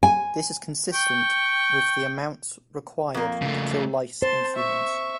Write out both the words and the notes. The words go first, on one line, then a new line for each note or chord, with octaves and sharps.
This is consistent with the amounts required to kill lice and humans.
G#5
G5 C#6
F2 A#3
C#3 A3
C5 A5 C6
E5 C#6